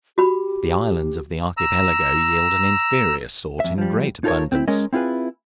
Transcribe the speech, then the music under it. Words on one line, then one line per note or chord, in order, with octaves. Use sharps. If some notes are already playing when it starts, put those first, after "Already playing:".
The islands of the Archipelago yield an inferior sort in great abundance.
F#4 G4 B5
A#5 E6
F2 E5
F3 G3
D#4 F4 A4 A#4 C#5
C4 E4
G#3 C#4 A#4 D#5
C4 E4 F4 G#4 B4